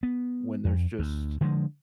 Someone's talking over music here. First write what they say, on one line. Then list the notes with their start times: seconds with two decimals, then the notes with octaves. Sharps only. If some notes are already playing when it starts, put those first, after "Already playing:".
when there's just
0.03 B3
0.65 F2
0.99 D2
1.41 D3 F3 G3 G#3